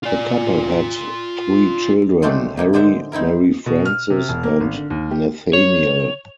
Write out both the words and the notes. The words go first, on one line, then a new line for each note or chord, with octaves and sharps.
The couple had three children, Harry, Mary Frances, and Nathaniel.
F4 D5
F#3 G#3 A3 C4 D4
C3 A#3 D#4
A2 D3 G#3 C5 E5
C4 D#4 E4 A#4
B2
F6
C3
E1
A#3
G#1
D3
D#2
G4
C#5